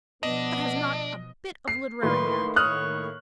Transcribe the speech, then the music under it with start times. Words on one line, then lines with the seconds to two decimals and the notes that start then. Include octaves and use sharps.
That has not a bit of literary merit.
0.23 B2 F3 B3 D4 D#5
1.68 C7
2.03 A2 D#3 A#3 B4 C6
2.56 C#5 D#6 F6 F#6